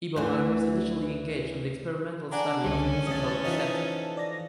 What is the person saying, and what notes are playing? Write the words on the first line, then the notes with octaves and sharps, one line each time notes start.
Eberlein was initially engaged in the experimental study of musical perception.
D2 E3
D4 F#5 G#5 A#5
C#2 D3 G3 C#4 A4
A1 E2 D#6 A6
E3 F3 D#4
D5 A#6